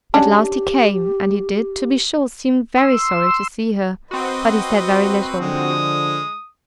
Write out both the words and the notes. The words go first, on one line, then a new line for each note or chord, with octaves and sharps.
At last, he came, and he did, to be sure, seem very sorry to see her, but he said very little.
C#4 D4 F#4 G4
C6 E6
C4 F#4 B4 D#5 C6
D3 F3 G#3 D#6